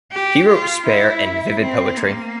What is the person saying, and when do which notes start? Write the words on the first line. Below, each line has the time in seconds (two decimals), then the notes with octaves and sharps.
He wrote spare and vivid poetry.
0.12 G4
0.49 F4
0.86 E4
1.60 C4
1.97 A#3